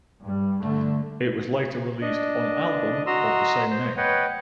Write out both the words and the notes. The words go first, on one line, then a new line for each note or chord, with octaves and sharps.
It was later released on album of the same name.
G2 G3
D3 A3
D4 D#5
F#4 D#5 A#5 C6 E6
C5
B4 C#5 D#5 F#5 G5